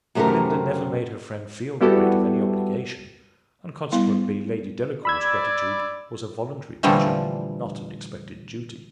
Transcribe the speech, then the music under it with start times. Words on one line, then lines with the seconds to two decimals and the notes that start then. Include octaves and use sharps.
Belinda never made her friend feel the weight of any obligation, and consequently Lady Delacour's gratitude was a voluntary pleasure--not an expected duty.
0.15 F#2 C3 A3 D4 G4 A#4
1.81 G3 B3 E4 F#4 G4 A4
3.91 G3 B3 E4 F5 C6
5.05 D5 B5 E6 G#6
6.83 A#2 D3 E3 F3 G3 A3